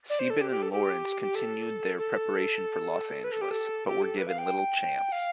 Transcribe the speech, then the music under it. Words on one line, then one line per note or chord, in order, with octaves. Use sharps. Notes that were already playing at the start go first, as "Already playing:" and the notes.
Sieben and Lawrence continued their preparation for Los Angeles, but were given little chance.
D5
C5
A4
G4
G4
A4
G4
G4
A4
A4
B4
A4
G4
A4
G4
A4
B4
F5
G5
F5